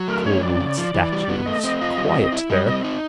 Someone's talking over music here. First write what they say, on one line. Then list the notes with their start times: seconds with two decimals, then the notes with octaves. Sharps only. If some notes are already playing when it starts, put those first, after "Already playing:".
Cold statues: quiet there.
Already playing: F#3
0.08 A3 A#4
0.26 C#4 C#5
0.42 F2 D5
0.60 C#3
0.78 F3
0.94 E3
1.12 G3
1.29 B3
1.46 A3 D#5
1.64 C4
1.81 F4
1.98 G3
2.16 C4
2.32 E4
2.50 G3 D#5
2.66 C4 D#5
2.84 D#4